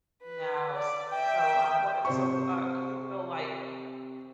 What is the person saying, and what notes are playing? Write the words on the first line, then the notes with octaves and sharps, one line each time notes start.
no, s so, um, what so, w uh, you feel like
B4
D5 D6
E5 G5
C3 C5 C#6